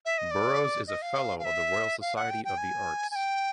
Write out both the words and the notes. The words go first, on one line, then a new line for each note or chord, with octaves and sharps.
Burrows is a Fellow of the Royal Society of the Arts.
E5
D#5
D5
D#5
F5
F5
E5
F5
F#5
G5
G5
G#5
G#5
G5